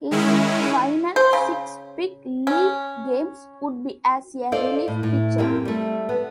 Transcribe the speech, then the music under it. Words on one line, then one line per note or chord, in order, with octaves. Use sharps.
His final six big-league games would be as a relief pitcher.
D#3 G#3 C#4 E4
C5
C#3
C#4
A4 C5 D5 D#5 F5
A2
A2
F#2 A#3 C4 G4 G5
G3 A3
B3